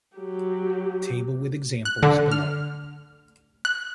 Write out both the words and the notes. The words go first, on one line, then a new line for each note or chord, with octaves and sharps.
Table with examples below.
F#3 G4
F#6
D3
F6
F#6